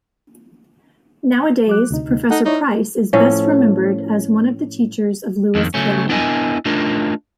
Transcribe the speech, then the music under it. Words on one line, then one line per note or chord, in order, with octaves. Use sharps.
Nowadays, Professor Price is best remembered as one of the teachers of Lewis Carroll.
F#3 D6 F#6
D2 C3 D#4
D#4 A4 F#5
D#4 E4 C#5 D5
A2 F3 C#4 A4
F2 D#3
C#3 F#3 A3 C#4
B3 D4 E4 A#4 D#5 G#5
A3 D4 D#4 F4 A#4